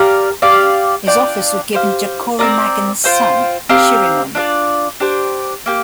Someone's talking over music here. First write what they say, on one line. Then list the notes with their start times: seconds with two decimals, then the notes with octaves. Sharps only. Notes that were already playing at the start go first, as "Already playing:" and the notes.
His office was given to Chormagan's son, Shiremun.
Already playing: G4 A#4 D5 F5
0.42 G4 D5 F5
1.07 D4 F4 D5 G5
1.73 G4 C5 F5
2.39 C4 F4 A#4 D5
3.04 F4 C5 G5
3.69 C4 G4 A#4 F5
4.35 D4 F4 A#4 D5
5.00 D4 G4 C5 G5
5.66 A#3 G4